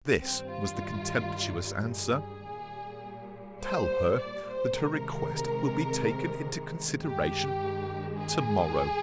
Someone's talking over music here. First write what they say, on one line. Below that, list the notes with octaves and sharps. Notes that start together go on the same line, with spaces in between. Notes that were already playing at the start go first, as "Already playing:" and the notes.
This was the contemptuous answer: 'Tell her, that her request will be taken into consideration to-morrow.'
G2 D#3 G3 C4
F4
G#4
A#2 G3
C5
D5
C5
C3 D#3 G#3 A#4
G2 D#3 G#3 G4
G#4